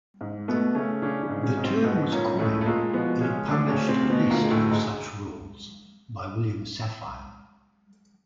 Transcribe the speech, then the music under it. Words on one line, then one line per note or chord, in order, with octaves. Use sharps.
The term was coined in a published list of such rules by William Safire.
G#2
B2 A3 B3
C#3 A3 C#4
C#3 C#4 D4
C#3 C#4
G#2
C#3 C#4
G#2
C3 C4
G#2 B2 B3
A#2 A#3 C#4
A2 G#3 A3
A3
A#2 G#3 A#3
B2 F3 B3
C#3 G#3 C#4
D2 D3 D4
C#3 C#4
D2
C3 C4
D2
B2 B3
D2 A#2 A#3
G#3
A2 A3
D2
G#2 G#3